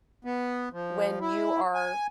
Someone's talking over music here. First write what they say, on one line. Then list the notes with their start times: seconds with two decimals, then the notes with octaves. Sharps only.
when you are
0.25 B3
0.72 F3
1.21 E4
1.74 G#5